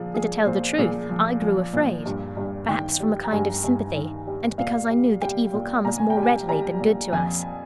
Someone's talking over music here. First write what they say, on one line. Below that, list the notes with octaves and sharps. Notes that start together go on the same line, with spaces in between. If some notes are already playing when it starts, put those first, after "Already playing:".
And to tell the truth, I grew afraid; perhaps from a kind of sympathy, and because I knew that evil comes more readily than good to us.
Already playing: A#2 F3 G#4
F3 G#4
A#2 C5
A#2 G#4
F3
F3
A#2
G2
G2
D#3 G5
G3
A#5
G2 G#5
G2
D#3
G3
A#2 F5
G3
G3 G5
A#2
A#2 A#5
G#5
G5
G3
G#5
G3 A#5
A#2
F2 G#5